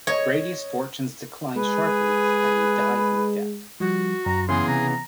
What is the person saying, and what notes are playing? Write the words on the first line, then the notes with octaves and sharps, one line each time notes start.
Brady's fortunes declined sharply, and he died in debt.
C#5 D#5
G#3 G#4 B4
F3 G3 F#4
F#2 A#5
C#3 E3 B3 G#4 C6
C3 A#5